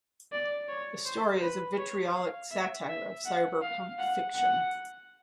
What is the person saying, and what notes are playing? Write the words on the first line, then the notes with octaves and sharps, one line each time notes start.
The story is a vitriolic satire of cyberpunk fiction.
D5
C#5
C5
B4
C#5
F5
E5
E5
F#5
F5
F#5
F#5